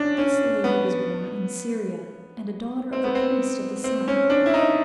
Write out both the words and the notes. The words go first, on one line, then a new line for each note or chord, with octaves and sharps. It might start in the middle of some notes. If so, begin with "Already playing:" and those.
This lady was born in Syria, and a daughter of a priest of the sun.
Already playing: C#4 D4
C#4
B3
C4
B3
C4
C4
C#4
D4
E4
D#4